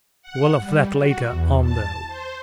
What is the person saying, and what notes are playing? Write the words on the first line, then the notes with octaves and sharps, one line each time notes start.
Well, of that later on, though.
F#5
G3
F#4
E2
A5
C5